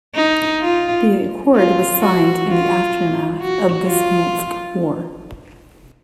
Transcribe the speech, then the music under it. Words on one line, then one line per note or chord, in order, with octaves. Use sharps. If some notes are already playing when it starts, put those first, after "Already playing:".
The accord was signed in the aftermath of the Smolensk War.
D#4
F4
F4
F#4
F4
F#4
F4